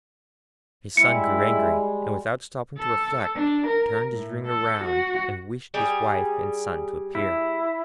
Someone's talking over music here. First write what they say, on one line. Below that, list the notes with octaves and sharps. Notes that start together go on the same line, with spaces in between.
His son grew angry, and, without stopping to reflect, turned his ring round and wished his wife and son to appear.
G3 G#3 E4 C#7
A4
D4
A#4
A2
A4
F#4
G3 G#4
E4